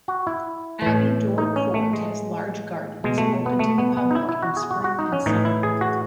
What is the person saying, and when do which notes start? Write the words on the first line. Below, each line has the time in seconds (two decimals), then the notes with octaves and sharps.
Abbey Dore Court has large gardens open to the public in spring and summer.
0.08 F#4
0.27 E4
0.82 A2 E3
1.38 D#4
1.56 C#4
1.74 A3
1.93 G#3
3.04 B2 G#3
3.18 A3
3.46 B3
3.59 A3
3.78 B3
3.97 B3
4.11 D#4
4.15 E4
4.29 E4
4.43 F#4
4.57 G#4
4.71 F#4
4.84 F#4
4.99 D#4
5.12 C#4
5.26 A2 E3 D#4
5.45 E4
5.63 G#4
5.81 F#4